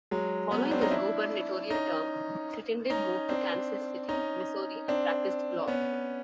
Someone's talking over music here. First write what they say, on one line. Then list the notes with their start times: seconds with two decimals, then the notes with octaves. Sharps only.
Following his gubernatorial term, Crittenden moved to Kansas City, Missouri and practiced law.
0.11 F#3 G#3
0.51 B3 C#4
0.71 C4 D4
0.81 C#4 D#4
0.91 D4 E4
1.70 C#4 D#4
2.90 C#4 D#4
3.29 C4 D4
4.09 C#4 D#4
4.88 C4 D4
5.68 B3 C#4